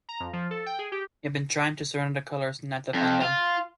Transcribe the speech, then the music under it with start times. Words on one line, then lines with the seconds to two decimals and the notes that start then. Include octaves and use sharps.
He had been trying to surrender the colours, not defend them.
0.09 A#5
0.20 F2
0.33 F3
0.51 A4
0.66 G5
0.79 G#4
0.92 G4
2.94 F2
3.22 F4